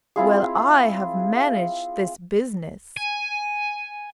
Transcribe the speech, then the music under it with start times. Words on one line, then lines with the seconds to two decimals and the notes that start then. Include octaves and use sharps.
'Well, I have managed this business.
0.16 C4 E4 F4 G#4
2.97 G#5